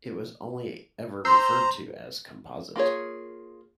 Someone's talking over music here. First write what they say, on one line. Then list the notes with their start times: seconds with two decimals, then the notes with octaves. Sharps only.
It was only ever referred to as "Composite".
1.25 C5 A#5 C6 E6 G6
2.76 A#3 F4 G#4 C#5